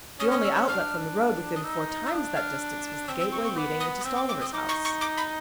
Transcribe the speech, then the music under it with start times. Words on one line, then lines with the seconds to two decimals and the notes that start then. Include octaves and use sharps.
The only outlet from the road within four times that distance was the gateway leading into Stolliver's house.
0.20 C#4 D#6
0.31 D#6
0.44 E6
0.56 E6
0.68 D4 F6
1.56 D#6
1.64 D#4 E6
2.06 E6
2.12 D4 D#6
2.36 F6
3.08 C4 E6
3.20 E6
3.32 C#6
3.45 C#6
3.56 B3 D6
3.80 D#6
4.01 D#6
4.05 C4 E6
4.16 D6
4.29 D6
4.41 D#6
4.53 D#4 D6
4.69 C#6
4.85 C#6
5.01 D6
5.17 B5